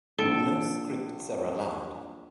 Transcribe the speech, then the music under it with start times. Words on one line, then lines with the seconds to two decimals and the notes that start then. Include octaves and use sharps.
No scripts are allowed.
0.19 A#1 A4 D7 G7